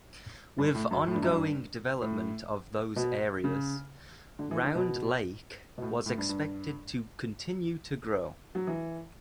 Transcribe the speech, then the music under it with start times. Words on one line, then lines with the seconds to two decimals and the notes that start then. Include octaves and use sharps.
With ongoing development of those areas, Round Lake was expected to continue to grow.
0.58 G2
0.74 A2
0.91 F#2
1.07 A2
1.14 G2
1.22 F#2
1.31 G2
2.02 A2
2.96 B2
3.44 C#3
4.39 D3
4.51 E3
4.63 D3
4.75 B2
5.78 B2
5.82 A2
6.06 A2
6.18 G2
6.29 G2
8.55 F#3
8.67 E3